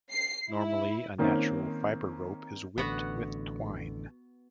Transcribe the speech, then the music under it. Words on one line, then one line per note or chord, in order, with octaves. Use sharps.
Normally a natural fibre rope is whipped with twine.
C7
E4
D#3 A#3 C4 C#4 D#4
A1 D3 B3 F#4